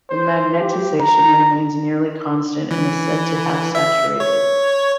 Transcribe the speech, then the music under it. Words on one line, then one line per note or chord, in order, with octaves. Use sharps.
The magnetisation remains nearly constant, and is said to have saturated.
C5
G4
A#5
E3
E5
C#5